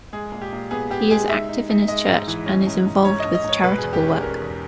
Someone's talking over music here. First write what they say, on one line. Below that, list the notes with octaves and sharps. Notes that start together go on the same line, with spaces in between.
He is active in his church and is involved with charitable work.
G#3 G#4
A#2
G4
A#2
B3 G#4
B3 G4
G#3 G#4
D#4 E5
D#4
D#4
G#3 D#5
G#2
E3
C#4
G#2
G#2
G#2 C#5
D#5
G#2
D#5
G#2 C#5
B2 B4
G#4
E2
G4
C#4
G#4
C#4 A#4
E2